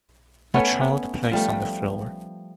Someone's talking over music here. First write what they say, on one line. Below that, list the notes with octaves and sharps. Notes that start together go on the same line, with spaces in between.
A child plays on the floor.
A3 B3 C#4 C#5
F3 G3 A3